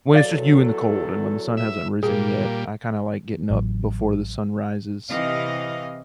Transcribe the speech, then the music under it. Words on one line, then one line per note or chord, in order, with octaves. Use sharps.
when it's just you in the cold, and when the sun hasn't risen yet, I kinda like getting up before the sun rises,
E2 F#3 A4 D5 F5 A6
E5
A#2 G3 A#3 G#4
A1 A2 F#3
C3 E3 D#5 F5